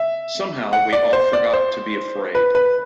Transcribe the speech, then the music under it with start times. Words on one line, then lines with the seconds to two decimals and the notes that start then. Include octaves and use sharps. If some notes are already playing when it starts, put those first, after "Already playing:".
Somehow we all forgot to be afraid.
Already playing: E5
0.73 F#5
0.93 D5
1.13 C5
1.33 D5
1.53 C5
2.35 B4
2.55 B4